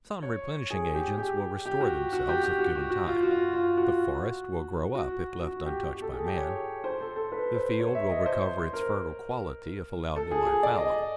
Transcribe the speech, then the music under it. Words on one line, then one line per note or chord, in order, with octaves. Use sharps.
Some replenishing agents will restore themselves if given time; the forest will grow up if left untouched by man; the field will recover its fertile quality if allowed to lie fallow.
C#5
G#4
G4
G4
G4
F#4
F#4
G4
G4
F#4
F#4
F#4
F4
F#4
F4
F4
F#4
F#4
F#4
G4
G4
A4
G#4
G4
C#5
C5
A4
A4
B4
C5
C#5
E5
D#5
C5
A#4
A4
G#4
G#4
D5
D#5